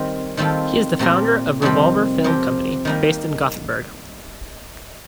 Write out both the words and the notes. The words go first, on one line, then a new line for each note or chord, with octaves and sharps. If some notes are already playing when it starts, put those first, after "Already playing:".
He is the founder of Revolver Film Company, based in Gothenburg.
Already playing: D#3 G3 C4
D#3 G3 C4 F4 A4
A#2 A3 C4 G4 A#4
F2 C3 D#3 G3 C4
F3 C4 G4 A#4
D#3 G3 A#3 D#4